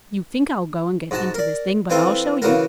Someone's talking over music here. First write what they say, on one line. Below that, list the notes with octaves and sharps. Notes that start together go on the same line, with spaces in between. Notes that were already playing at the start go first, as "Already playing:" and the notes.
You think I'll go and get into this thing, but I'll show you.
G#2 F#4 A5
A#4 D5
E3 C4 F4 A4 C5
C#3 E3 A#3 F#4 A#4